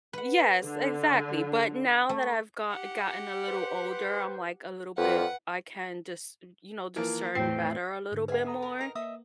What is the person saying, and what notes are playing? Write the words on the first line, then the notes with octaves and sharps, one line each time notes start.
Yes, exactly, but now that I've go gotten a little older, I'm, like, a little bit I can just, y you know, discern better a little bit more
B4 F#5
D3
A3
G4 F#5
B4 C5
F2 F4 A#4 B4 D5 F#5
E3 F3 A#3
E2 A2 C4 G5 C7
G#2 D3
G#4 B4 E5 F#5 G#5
A4 A#5 D#6
A#4
D#4 A#4
A#3 D#5 E5 D#6